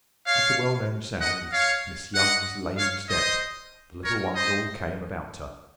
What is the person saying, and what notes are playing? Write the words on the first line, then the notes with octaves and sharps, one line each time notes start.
At the well-known sound of Miss Young's lame step, the little ones all came about her.
C#5 F5
D#5 F#5
C#5 F5
D#5 F#5
C#5 F5
C5 D#5
A#4 C#5
C5 D#5